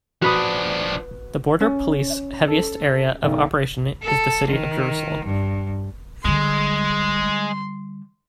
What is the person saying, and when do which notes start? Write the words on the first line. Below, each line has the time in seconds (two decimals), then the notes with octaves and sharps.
The Border Police heaviest area of operation is the city of Jerusalem.
0.22 F3 D4 F#4 B4 D#6
1.61 C#4
2.48 A4
3.23 B1 D#3
4.03 A4
4.48 D#3
5.26 G2
6.25 D3 G3 G#3 C6